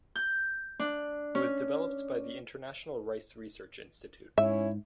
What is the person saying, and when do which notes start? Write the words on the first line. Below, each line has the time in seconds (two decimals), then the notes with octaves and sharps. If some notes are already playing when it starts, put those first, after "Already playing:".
It was developed by the International Rice Research Institute.
0.16 G6
0.80 D4
1.35 C#4
4.38 G#2 C#4 E4 C#5 E5